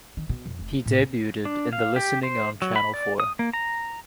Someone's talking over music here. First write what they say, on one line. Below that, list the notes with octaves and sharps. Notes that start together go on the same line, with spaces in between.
He debuted in The Listening on Channel Four.
D#3
B2
F2
F1
E3
A2
C4
D4
F5
G4
C5
F#3
B5
D5
D#6
A#3
A#5